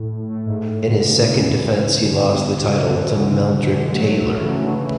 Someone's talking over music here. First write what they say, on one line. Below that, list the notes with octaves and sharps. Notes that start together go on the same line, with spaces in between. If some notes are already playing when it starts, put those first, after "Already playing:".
In his second defense, he lost the title to Meldrick Taylor.
Already playing: A2
A2
G#2
A2
A2
B2 D3
A2 C#3
C#3 E3
B2 D3
C#3 E3
B2 D3
D3
C#3
B2 D3
D3 F#3
E3 G#3
F#3 A3
C#3 E3
C#3 E3
D3 F#3
C#3 E3